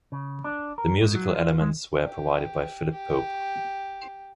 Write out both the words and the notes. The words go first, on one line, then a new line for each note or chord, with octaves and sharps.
The musical elements were provided by Philip Pope.
C#3
D4
A#4
G#2
F#3
F4
G#3
G4
G4